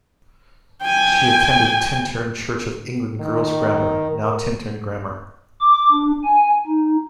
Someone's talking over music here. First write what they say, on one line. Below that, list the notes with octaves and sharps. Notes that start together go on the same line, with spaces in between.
She attended Tintern Church of England Girls' Grammar, now Tintern Grammar.
G5 G#5
D#3
A#4
D6
D4
G#5
D#4